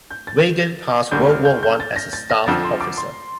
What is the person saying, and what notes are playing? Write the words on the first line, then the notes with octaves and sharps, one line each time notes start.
Weygand passed World War One as a staff officer.
G6
A6
D2 D3 G3 A#3 G6
F6
G6
G6
A6
A#6
A6
A#6
F2 D3 F3 A6
C6
D6
C6